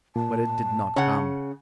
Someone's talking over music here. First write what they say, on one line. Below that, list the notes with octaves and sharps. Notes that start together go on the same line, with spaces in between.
But it did not come.
A#2 A5
C#3 C#4 F#5